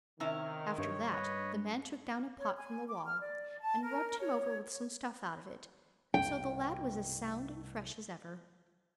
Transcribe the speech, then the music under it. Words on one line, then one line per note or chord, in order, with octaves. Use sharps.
After that the man took down a pot from the wall, and rubbed him over with some stuff out of it, and so the lad was as sound and fresh as ever.
C3 D#3 C#4 E4 F6
G2 C#5
B4 C#5 D#5
C#5
G#5
D6
F6
D5
A5
A#4
C#5
C#5
C2 G2 B2 G5